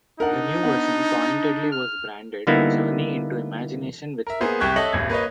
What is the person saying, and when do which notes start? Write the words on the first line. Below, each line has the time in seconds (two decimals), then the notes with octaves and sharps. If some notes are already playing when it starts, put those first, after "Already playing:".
The new version pointedly was branded Journey Into Imagination with Figment.
0.20 D4 D#4 A#4 F#5
0.63 B3 F#5
1.72 F6
2.47 D3 G3 A#3 B3 D#4 E4
4.27 A#4 E5
4.41 A#3 B3 G#4 C5
4.60 C2 G4 C#6 F#6 G#6
4.76 A4 C#5 D#5 E5 F#7
4.93 D#1 G#1 G#6
5.10 A#3 B4 C#5 D#5